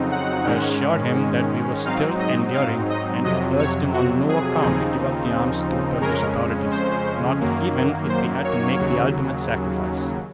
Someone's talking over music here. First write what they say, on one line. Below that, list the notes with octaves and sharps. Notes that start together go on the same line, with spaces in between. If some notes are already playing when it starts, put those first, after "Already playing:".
I assured him that we were still enduring, and urged him on no account to give up the arms to the Turkish authorities--not even if we had to make the ultimate sacrifice.
Already playing: F2 C#3 F#3 C4 D#4
F#5
G#2 D#3 G#3 C#4
G#2 F#3 C4 D#4 F5
D#5
F5
D#5
F2 C3 F#3 D#5
C#5
F#4
G#4
D#2 C#3 F3 C4 D#4
F2 C#3 G#3 C#4 A#4
C5
F#2 D#3 F#3 A#3
C5
C#5
D#2 C#3 F#3